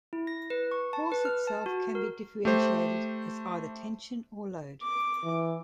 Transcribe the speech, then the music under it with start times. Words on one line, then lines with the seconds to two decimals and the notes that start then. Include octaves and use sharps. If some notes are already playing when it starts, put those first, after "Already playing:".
Force itself can be differentiated as either tension or load.
0.13 E4
0.27 A#6
0.50 B4
0.71 C#6
0.93 A5
1.12 B4
1.25 F6
1.47 A5
1.66 F#4
1.95 A#4
2.45 A3 G4 C5
4.82 D6
5.24 E3